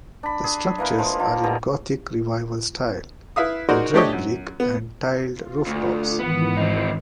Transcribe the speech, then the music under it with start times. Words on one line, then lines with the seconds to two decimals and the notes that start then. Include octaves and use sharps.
The structures are in Gothic Revival style in red brick and tiled rooftops.
0.23 D4 B5
0.44 G#4
0.78 E3 A#3 B4
0.99 F3 G#3
1.19 D#3 F3
1.43 B2 G3 G#3
3.36 E4 B4 E5 F5 D#6
3.69 D#4 F#4 G#4 A#4 C5 D5
3.94 A3 D4 G4 C#5 D#5
4.13 F#2
4.60 B3
5.32 F4
5.67 D2
6.19 G#2 D#3 E3 B3
6.57 C4 D#4